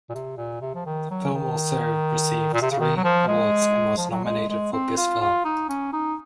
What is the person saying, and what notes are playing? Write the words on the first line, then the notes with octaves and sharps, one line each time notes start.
The film also received three awards and was nominated for "Best Film".
A#2
C3
A#2
C3
F3
D#3
F#3
D#3
A#2
C3
C#3
D#3
F#3
F3
G#3
F3
F#3
G#3
G#3
C4
F4
F4
D#4
C#4
D#4